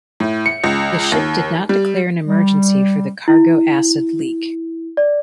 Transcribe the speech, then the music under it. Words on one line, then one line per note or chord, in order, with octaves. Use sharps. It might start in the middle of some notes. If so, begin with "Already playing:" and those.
The ship did not declare an emergency for the cargo acid leak.
A2
C#7
C#2
D#2
G3
G3
E4
D5